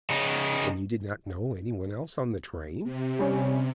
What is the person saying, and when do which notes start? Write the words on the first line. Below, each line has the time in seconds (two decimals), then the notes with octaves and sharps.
"And you did not know any one else on the train?"
0.10 C#3 D#4
2.84 C3
3.19 G3 C#4